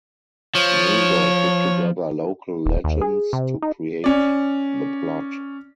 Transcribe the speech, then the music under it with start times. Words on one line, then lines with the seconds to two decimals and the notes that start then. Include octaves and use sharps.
Nazor put together local legends to create the plot.
0.55 F3 C#5
2.66 D#1
2.84 D#2
3.01 G#4
3.33 C3
3.62 D#4
4.04 C#4 D5